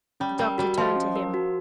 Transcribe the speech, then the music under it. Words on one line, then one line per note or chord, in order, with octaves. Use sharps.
The Doctor turned to him.
G3 C#4
G3 A#4
G3 F#4
F3 D#5
C#4
A#4
F#4